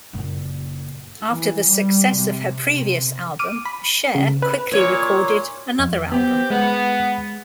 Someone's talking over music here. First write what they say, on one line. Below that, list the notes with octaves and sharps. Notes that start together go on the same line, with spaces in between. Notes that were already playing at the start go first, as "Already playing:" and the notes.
After the success of her previous album, Cher quickly recorded another album.
F#1 A#2
E3
G3
C3
C3
D6 F6 D#7
B5
C#3
B4
A#2 C#5
F2
B3 C4 G4
G#3 B3